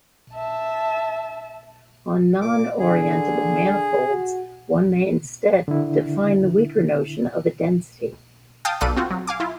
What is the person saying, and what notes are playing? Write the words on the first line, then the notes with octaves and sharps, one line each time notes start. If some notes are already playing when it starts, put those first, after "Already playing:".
On non-orientable manifolds, one may instead define the weaker notion of a density.
E5 A5
A#2 D6
D3 G#4
F#4
D3 E4
F5 G5 A5 D#6
B1 A4 B4 D5 F5 D#7
C4 F4 F#4
F#3
F5 G#5 D6
E4 F4